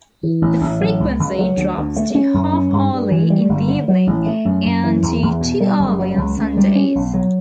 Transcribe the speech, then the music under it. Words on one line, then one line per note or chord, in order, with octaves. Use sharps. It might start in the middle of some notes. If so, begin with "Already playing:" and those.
The frequency drops to half-hourly in the evening and to two-hourly on Sundays.
E3
A1
A1
F#3
C#2
C#2
F#3
D2
D2
A3
C#4
F#2
C#4
G2
G2
E3
G3
G1
D3
F#3
A1
A3
F#2
F#2
E3
E2
E2
B2
G3
F#1
F#3
C#2
C#2
G3
C#4
B1
F#3